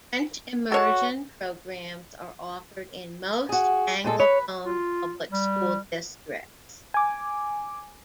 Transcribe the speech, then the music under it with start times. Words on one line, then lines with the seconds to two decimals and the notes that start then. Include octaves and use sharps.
French immersion programs are offered in most Anglophone public school districts.
0.72 F#4 A4 C#5 A5
3.49 F#4 G#4
4.04 A#2 G#3 A4
4.20 B4 C#5
4.65 F4
5.31 G3
6.94 G#5 D6